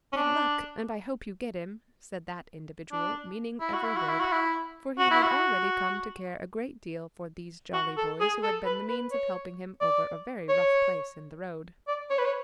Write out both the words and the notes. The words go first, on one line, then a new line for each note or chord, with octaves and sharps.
"Good luck, and I hope you get him!" said that individual, meaning every word, for he had already come to care a great deal for these jolly boys who had been the means of helping him over a very rough place in the road.
C#4
D4
D4
E4
F#4
E4
F#4
E4
F#4
E4
F#4
E4
F#4
F#4
A4
G#4
A4
B4
B4
C#5
D5
C#5
D5
C#5
B4
C#5